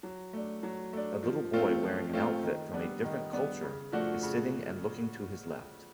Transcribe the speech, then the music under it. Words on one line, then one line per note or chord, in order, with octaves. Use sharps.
A little boy wearing an outfit from a different culture is sitting and looking to his left.
F#3
A3 D4
F#3
A3 D4
F3
A3 C4 F4
F3
A3 C4 F4
D#3
G3 B3 D4
D#3
G3 B3 D4
C#3
F3 A3 D4 F#4
C#3